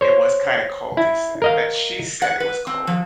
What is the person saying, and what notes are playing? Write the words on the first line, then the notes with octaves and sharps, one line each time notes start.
It was kinda cold, he said that she said it was cold.
C5 C#5
E4
A#4 D#5 F5
F#5
B4
C4
F3